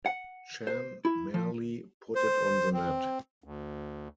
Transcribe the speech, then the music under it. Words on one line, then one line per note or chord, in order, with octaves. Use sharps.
Chan merely put it on the net.
F#5
C5
E4
F3
C5
C4
D2